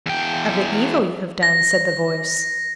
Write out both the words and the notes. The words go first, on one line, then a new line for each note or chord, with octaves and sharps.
"Of the evil you have done," said the voice.
E2 G5
A#6